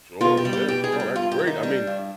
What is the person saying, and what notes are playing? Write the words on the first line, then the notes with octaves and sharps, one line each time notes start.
Sure, yeah, no, that's great, I mean,
B2 F4
G4
G3
G4
B2 G4
G#4
G3
G4
G2 F4
G4
D#3
D#4
G3 D4
G2